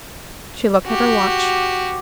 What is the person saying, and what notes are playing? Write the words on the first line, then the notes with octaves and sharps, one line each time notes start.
She looked at her watch.
F#4 G4